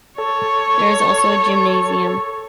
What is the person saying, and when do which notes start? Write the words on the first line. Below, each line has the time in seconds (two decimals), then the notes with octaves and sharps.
There is also a gymnasium.
0.18 A4 C#5